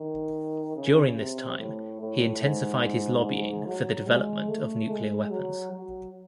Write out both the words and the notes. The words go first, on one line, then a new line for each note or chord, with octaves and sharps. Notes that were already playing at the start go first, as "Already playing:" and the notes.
During this time, he intensified his lobbying for the development of nuclear weapons.
Already playing: D#3
C#3
C3
A2
A2
G#2
F#3
G#3
A3
G#3
F#3
F#3